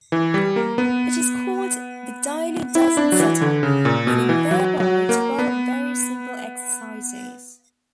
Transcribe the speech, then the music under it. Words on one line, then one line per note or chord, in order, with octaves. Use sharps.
It is called the "daily dozen set-up", meaning thereby twelve very simple exercises.
E3
G3
A#3
B3
E4
D4
F#3
E3
D3
C#3
A#2
B2
E3
F#3
F#3
A#3
B3